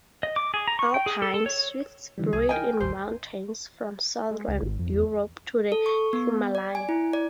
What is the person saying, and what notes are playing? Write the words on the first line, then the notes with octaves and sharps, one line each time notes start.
Alpine swifts breed in mountains from southern Europe to the Himalaya.
D#5
D6
G#4
A#5
C#6
G5
G#4
A4
A4
C#5
D3 E3 G3
C2 G#4
A#4 D#5 G5 G#5
G#1 D#2 A2 C5
G#3
C#2
G#1
F2
E2
A4
C#6
B3
D5
G#5
E4
D5